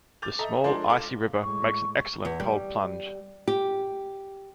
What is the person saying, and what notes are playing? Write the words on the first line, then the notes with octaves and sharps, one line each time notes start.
The small, icy river makes an excellent cold plunge.
D6 G6 A6 F7
A4 D#5 E5 A#5
F3 G#3 D4 A4 A#4 C5
A4 F5 D6
A2 G#3 C#6
E2
G3
G4